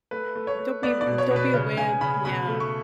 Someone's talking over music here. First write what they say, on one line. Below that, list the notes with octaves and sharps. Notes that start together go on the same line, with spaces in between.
Don't be m don't be a wimp, yeah.
A3 B4
A3
C#5
A3
B3 D5
D5
B2
C#5
B2
B4
C#3
C#3 G#5
C#3 B5
B2 B5
A3
C#6